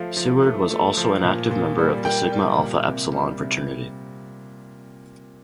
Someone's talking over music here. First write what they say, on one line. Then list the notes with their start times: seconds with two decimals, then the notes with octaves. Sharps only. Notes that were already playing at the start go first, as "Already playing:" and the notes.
Seward was also an active member of the Sigma Alpha Epsilon fraternity.
Already playing: F3 A3 F5
0.17 F3
0.43 A3
0.71 A3
0.97 F3
1.24 A#2
1.51 A#2
1.78 G3
2.05 A#3 G5
2.32 G3
2.58 A#2
2.86 C3
3.12 G3
3.39 C3